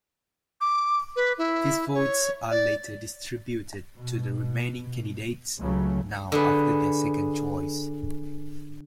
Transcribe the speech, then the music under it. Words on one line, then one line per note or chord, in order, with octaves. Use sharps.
These votes are later distributed to the remaining candidates, now after their second choice.
D6
B4
E4
C#5
D5
B2
C#2 C#3 F#3 A3
D3 G#4 B4